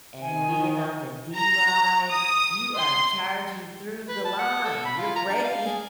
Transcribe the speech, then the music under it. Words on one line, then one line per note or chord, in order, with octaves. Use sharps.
and being on the D line, you are charging through the line, you're breaking
D#3 G#5
A#5
D#6
C6
B4
A5
F#5
A4
B5
F4
A#5
D4
F5
G#4